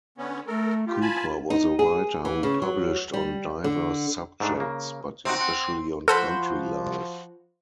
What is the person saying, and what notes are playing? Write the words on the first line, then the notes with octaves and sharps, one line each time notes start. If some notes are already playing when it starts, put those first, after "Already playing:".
Cooper was a writer who published on diverse subjects, but especially on country life.
D3 B3 C#4
A3 A4 A#4
F4 G4
G#5 A5 B5
D#4
G#4
E3
C#3
F#3
G3
D3
G#2 A3 D4
C#3 A#3
C3 C4 D#4 F#4
F#5
F3 F#4 A4 C5 B5